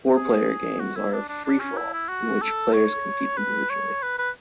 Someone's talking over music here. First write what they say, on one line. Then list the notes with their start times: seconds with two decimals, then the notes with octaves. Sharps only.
Four-player games are a free-for-all in which players compete individually.
0.16 G#4
0.80 F#4
0.97 E4
1.13 D4
1.29 D4
1.45 D4
1.60 C#4
1.77 E4
1.93 E4
2.09 F#4
2.42 A4
2.74 C#5
3.37 B4
3.70 C#5
4.03 B4
4.19 B4